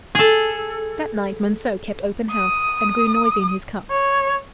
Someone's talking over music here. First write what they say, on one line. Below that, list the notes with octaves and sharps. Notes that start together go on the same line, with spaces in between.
That night Monceux kept open house and grew noisy in his cups.
G#4 A4
D#6
C#5